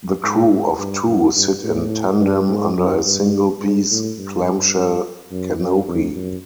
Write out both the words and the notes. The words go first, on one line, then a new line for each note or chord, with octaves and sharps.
The crew of two sit in tandem under a single-piece clamshell canopy.
G#2
G2
F#2
G2
A2
G2
G#2
F#2
G2
G#2
A2
G2
F#2
F#2
F2
F#2